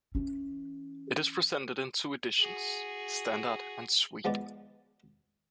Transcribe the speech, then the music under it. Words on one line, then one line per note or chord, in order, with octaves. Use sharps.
It is presented in two editions: standard and suite.
E3 C#4
F#4 G#4
F3 G#3 B3 D5